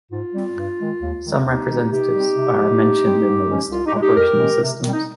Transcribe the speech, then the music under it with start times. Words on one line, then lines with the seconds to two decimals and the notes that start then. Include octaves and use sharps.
Some representatives are mentioned in the list of Operational systems.
0.11 G#2 F4
0.34 G3 C4
0.58 G2
0.80 D#3 G#3
1.02 D#2
1.25 D#3 G#3 C4
1.47 D#2 D#4 G4
1.69 D#3 G#3 C4
1.92 C3 D#4 G4
2.15 G3 C4
2.37 C3
2.59 F3 G#3
2.81 G#2
3.04 G3 C4
3.27 G#2
3.49 F3 G#3 C#4
3.71 C2 F4
3.86 D#4 G4
3.94 A#2 G#3
4.01 D#4 G4
4.17 F2 G4 A#4
4.39 D#3 G#3 C#4
4.62 C3
4.84 D#3 G3 C4
4.92 D#4